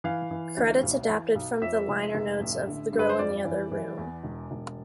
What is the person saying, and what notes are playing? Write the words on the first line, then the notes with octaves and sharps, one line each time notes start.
Credits adapted from the liner notes of "The Girl in the Other Room".
E3 F5
E3
D2
B1
E3
B1
F2 E5
F1
F1
A1
D3
G2
B4
C5
F2 D5
E3
E3
E2
E1
E1